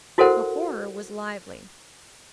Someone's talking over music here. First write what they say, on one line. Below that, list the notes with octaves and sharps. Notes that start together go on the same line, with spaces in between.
The horror was lively.
E4 F#4 A4 A#4 C5 F#5